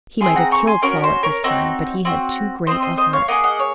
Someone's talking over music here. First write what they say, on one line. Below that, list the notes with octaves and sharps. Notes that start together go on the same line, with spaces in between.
He might have killed Saul at this time, but he had too great a heart.
C4 F4 G#4 G#5 C6
F#5 A#5
A#5 C#6
G#5 C6
C#4 F#4 A#4 C#5
C5
A#4 C#5
C4 D#4 F#4
C4 F#4
C4 F#4 C5 D#5
C5 D#5
C5 D#5
C#5 F5
A#3 F4 G#4 D#5 F#5
D#5 F#5
C#5